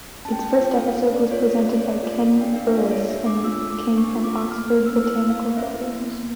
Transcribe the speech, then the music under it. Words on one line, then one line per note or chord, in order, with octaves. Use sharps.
Its first episode was presented by Ken Burras and came from Oxford Botanical Gardens.
C#4 A5
G5
A5
C#4
G5
F4
A4 F5
C#4
C#4 D5
F4 C#5
A4
D5
C#4
C#5
C#4 D5
F4
D5
A4
D4 G5
D4 F5
E5
F4 D5
A4 C#5
D4 E5
D4 D6
F4 E6
A4
D6
D4
D4 C#6
F4
D6
A4
A#3 F6
A#3 F6
C#4 E6
F6
E4 E6
A#3
F5
A#3
C#4 E5
E4
A#3
A#3